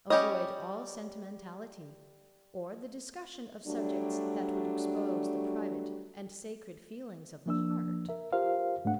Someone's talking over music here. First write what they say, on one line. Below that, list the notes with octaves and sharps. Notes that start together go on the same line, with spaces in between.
Avoid all sentimentality, or the discussion of subjects that would expose the private and sacred feelings of the heart.
G3 C#4 G4 C#5 D#5
F#3 G3 A3 D4
F3 A#3 D4 E6
A#4 E5
F4 G4 A#4 C5 F5
G#2 A3 D4 F#5